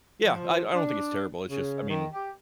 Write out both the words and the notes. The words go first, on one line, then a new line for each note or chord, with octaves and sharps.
Yeah. I I don't think it's terrible. It's just I mean,
F3
D4
C#3
D#3
G4